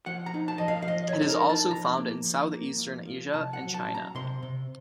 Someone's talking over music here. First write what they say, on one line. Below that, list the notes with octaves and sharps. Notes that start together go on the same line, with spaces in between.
It is also found in south-eastern Asia and China.
F3 F#5
A#5
D#4
A5
F3 D#5
F5
F5
F3 D#5
C#5
D#4
A4
A#4
D#4
A5
F3 A#5
A#3
F3
A#3
F3
F3
C3 A5
F#5
F#3
A5
C#4
A#5
C3 C6
C3